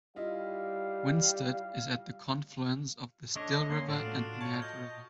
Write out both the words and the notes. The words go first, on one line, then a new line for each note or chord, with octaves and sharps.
Winsted is at the confluence of the Still River and Mad River.
G3 E4 F4 D#5 F5
A3 D4 C#5 D#5
A#3 C#4 C6
A2 D4 F4 F#4
C#5 A5
D#5 G6